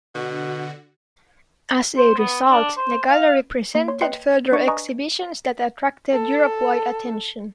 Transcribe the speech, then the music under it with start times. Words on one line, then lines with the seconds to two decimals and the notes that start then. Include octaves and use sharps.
As a result, the gallery presented further exhibitions that attracted Europe-wide attention.
0.15 B2 D3 F#4
1.97 C5
2.18 B3
2.50 D4
2.77 C5
3.09 F5
3.75 A#3
3.88 C#5 C6
4.01 B4 D#5 G5 C6 C7 C#7
4.52 D4 D5 C#6 C#7
4.67 B4 D#5 G#5 A#5 C#6 D#6
6.13 A4